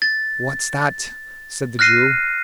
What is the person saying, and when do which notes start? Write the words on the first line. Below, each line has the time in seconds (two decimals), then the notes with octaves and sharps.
'What's that?' said the Jew.
0.02 A6
1.79 F6 F#6 A#6 C7 D#7